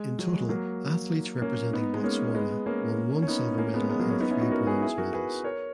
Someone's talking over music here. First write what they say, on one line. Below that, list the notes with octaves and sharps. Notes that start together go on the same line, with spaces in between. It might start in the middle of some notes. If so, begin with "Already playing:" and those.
In total athletes representing Botswana won one silver medal and three bronze medals.
Already playing: G#3
F#3
G#3
F#3 A#3
A#3 C#4
B3 D#4
G#3 B3
A#3 C#4
G#3 B3
A#3 C#4
C#4
B3 D#4
A#3 C#4
G#3 B3
G#3 B3
F#3 A#3
A#3 C#4
B3 D#4
C#4 E4
D#4 F#4
F#4 A#4
G#4 B4
E4 G#4
F#4 A#4
G#4 B4
A#4 C#5